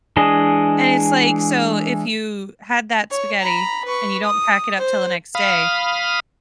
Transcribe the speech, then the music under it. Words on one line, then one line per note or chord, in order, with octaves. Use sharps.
And it's like, so if you had that spaghetti and you don't pack it up till the next day,
E3 G#3 D4 G#4 D#5
C#5
A#5 B5
B4 C#6
D#6
C5
F5 B5 D#6 F6